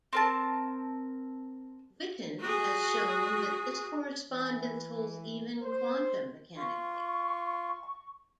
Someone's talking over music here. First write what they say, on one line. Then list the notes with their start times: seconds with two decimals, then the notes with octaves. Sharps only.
Witten has shown that this correspondence holds even quantum mechanically.
0.13 C4 A#4 A5
2.39 F#4 G#4
4.31 E3
5.62 C5
6.56 F4 C#6